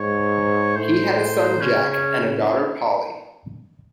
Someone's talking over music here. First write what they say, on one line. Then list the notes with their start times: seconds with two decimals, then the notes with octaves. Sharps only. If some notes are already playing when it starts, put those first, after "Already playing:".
He had a son, Jack and a daughter Polly.
Already playing: G#2 C#5
0.76 A2 C5
1.61 C#3 C#4
1.89 C#4